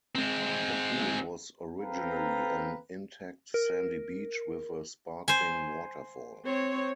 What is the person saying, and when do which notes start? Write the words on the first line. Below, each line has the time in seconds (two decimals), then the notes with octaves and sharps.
The Pool was originally an intact sandy beach with a sparkling waterfall.
0.15 G#3 C4
1.81 C4 A4 B4 F5 G5 A#5
3.54 A#4
5.28 C5 G#5
6.45 C4 C#5